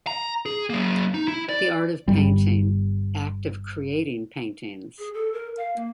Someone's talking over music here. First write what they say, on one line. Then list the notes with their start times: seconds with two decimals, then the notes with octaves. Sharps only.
The art of painting - act of creating paintings.
0.07 A#5
0.46 G#4
0.70 F#3 A#3
1.14 D#4
1.28 E4
1.49 D5
2.08 G1 G3
4.99 G#4
5.14 A4
5.33 A#4
5.57 F5
5.76 A#3